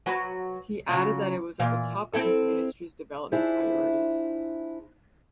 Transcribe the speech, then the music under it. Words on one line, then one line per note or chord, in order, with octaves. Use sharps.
He added that it was at the top of his ministry’s development priorities.
F#3 F#4 B4
C#3 F#3 F4
A#2 E3 F4
C4 E4 A4
D4 E4 F4 G#4 C5 E5